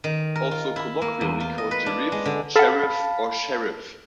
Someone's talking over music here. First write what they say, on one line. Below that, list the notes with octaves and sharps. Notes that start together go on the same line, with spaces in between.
Also colloquially called Jerife, Cherif, and Sherif.
D#3
A#4
F4
E4
A#3
E2
F4
D#5
B4
D4
G#3
D3
A4 F5 F#5 A5 B5